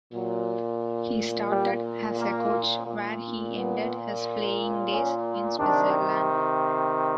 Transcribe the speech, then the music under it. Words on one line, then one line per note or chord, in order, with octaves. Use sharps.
He started as a coach where he ended his playing days—in Switzerland.
A#2 F#3
G3
A#3
A#2
B3
C#4
C3 D#3 D4